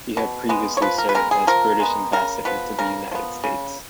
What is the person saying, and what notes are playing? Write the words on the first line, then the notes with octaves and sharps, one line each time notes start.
He had previously served as British Ambassador to the United States.
B2
G#3 B3
C#5
F3 B4
A#4
B4
G#3 B3 A#4
G#4
F3 A#4
G#3 B3
C#3 A#4
F3 B3 B4
C#3 A#4
F3 B3
C#3